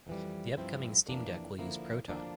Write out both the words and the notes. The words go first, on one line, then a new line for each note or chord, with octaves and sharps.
The upcoming Steam Deck will use Proton.
F2 E3 G3
G2 F3 C4 E4
F2 E3 A#3 D4
D3 F3 A#3 E4
D3 F3 A#3 D4